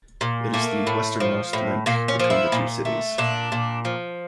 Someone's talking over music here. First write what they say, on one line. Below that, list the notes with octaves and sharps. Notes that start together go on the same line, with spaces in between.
It is the westernmost link between the two cities.
A#2
A3 A#3
A2
F3
A2
A#2 A#3
C#4
F3
E4
A#2
A3
A#2 D4
A#2
F3